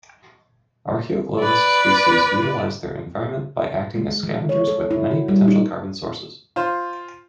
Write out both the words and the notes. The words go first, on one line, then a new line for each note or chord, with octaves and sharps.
"Archaeoglobus" species utilize their environment by acting as scavengers with many potential carbon sources.
B4 D5
G#3
F3
C#5
A4
E4
F#4
G3
D#4
F4 C5